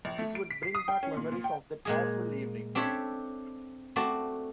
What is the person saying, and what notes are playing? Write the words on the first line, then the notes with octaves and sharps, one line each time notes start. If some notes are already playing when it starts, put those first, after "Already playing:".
It would bring back memories of that awful evening.
A#1
A3
D7
B6
C7
D#6
G5
C#4
A#2
A#2
G5
A#2 G#3 G#4
C4 D4 G4 A4 C#5 E5
A3 C4 F#4 D5 A5